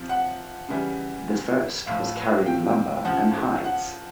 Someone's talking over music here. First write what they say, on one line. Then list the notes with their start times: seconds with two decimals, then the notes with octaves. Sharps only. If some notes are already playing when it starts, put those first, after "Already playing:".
The first was carrying lumber and hides.
Already playing: C3 F3
0.09 F#5
0.68 C#3 E3 G3
1.86 A2 F3 F5
2.46 G5
3.05 C#3 F3 F#5
3.64 F#5